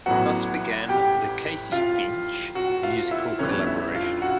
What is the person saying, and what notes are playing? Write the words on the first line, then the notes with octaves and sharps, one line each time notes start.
Thus began the Casey-Finch musical collaboration.
A1 A2 F#3 B3 F#4 F#5
G4 G5
F4 F5
F#4 F#5
F4 F5
E4 E5
F2 D3 G3 B3 C#4 C#5
E4 E5
F4 F5
F#4 F#5